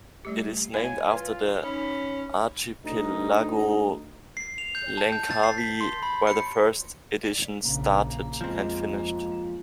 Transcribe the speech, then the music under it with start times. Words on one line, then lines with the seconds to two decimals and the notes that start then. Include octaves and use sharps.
It is named after the archipelago Langkawi, where the first edition started and finished.
0.25 G3 A3 G4
0.74 E4 C#5 F5 G#5
1.11 F4 B4
1.64 C#4 D#4 B5
2.84 D2 D#4
4.37 C7
4.58 F7
4.75 G6
4.98 A5
5.12 G6
5.31 A6
5.43 C7
5.58 B6
5.81 C6
6.03 B5
6.27 C#7
7.63 A#1 C#3 A#3
8.41 F2 F3 G#3 C4